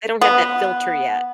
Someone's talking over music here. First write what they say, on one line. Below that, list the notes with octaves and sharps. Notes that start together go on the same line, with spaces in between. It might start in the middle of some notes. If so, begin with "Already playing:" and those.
They don't have that filter yet.
B3